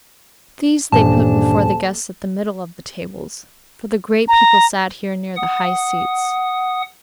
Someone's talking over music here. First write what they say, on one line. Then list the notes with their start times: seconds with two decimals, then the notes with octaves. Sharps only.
These they put before the guests at the middle of the tables; for the great people sat here near the high seats.
0.92 D#1 G2 A#2 E3 D4 A5
4.28 A#5
5.37 F#5 D#6